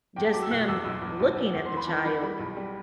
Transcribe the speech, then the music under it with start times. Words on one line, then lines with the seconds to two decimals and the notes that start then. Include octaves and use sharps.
Just him looking at the child
0.16 E2 G5
0.25 A5
0.34 F#3 D6
0.42 E6
0.51 B2 F#6
0.68 E2 E6
0.85 B1 E6
1.02 B1
1.20 B1
1.36 B1
1.54 E2
1.66 C6
1.71 E3
1.77 B5
1.87 E3 A5
2.05 E3 B5
2.23 G3 B5
2.39 B1
2.57 G3